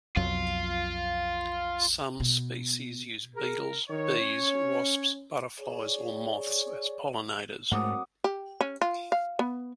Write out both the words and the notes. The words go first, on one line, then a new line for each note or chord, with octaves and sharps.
Some species use beetles, bees, wasps, butterflies or moths as pollinators.
B1 F2 F#3 F4
B2
G#4 A#4
D#3 C#5
C#4
G#4 C#5 D5
G#2 F#3 A3 A#3 C4 F#5 D6 D#6
G4
C#4
F4
F5
B3